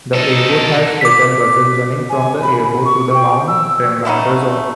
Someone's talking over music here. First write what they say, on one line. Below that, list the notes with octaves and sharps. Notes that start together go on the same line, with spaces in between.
The airport has shuttle buses running from the airport to the Mont Tremblant Resort.
D#4 A4
D6 B6
G#5
B5
C#6
G5
E6
A3 B3 C#4 D#4